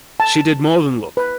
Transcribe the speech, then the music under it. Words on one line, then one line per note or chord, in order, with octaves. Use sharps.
She did more than look.
A5
B4